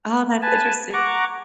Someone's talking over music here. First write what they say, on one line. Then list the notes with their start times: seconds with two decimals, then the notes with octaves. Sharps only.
Oh, that's interesting.
0.42 B4 G#5 A5
0.93 F#5 A#5 C#6 D6